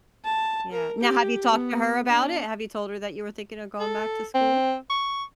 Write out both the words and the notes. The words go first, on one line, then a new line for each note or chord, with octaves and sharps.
Yeah now, have you talked to her about it? Have you told her that you were thinking of going back to school?
A5
A#4
G4
B3
D4
A4
C4
C#6